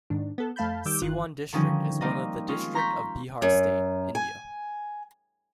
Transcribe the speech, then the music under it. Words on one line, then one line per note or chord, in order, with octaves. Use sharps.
Siwan district is one of the district of Bihar state, India.
G#2 D#3 D4
B3 A4
F2 A3 F5 A5 B5 G6
D#3 G3 D6 E6 G6
G1 D#3 F4 F#6
D3 D#3 F3 G3 C#4 D#4
G3 A#3 C4 D#4 D#5
G#3 C#4 F4
A#5 C6 C#6 G6 B6
F#2
G#5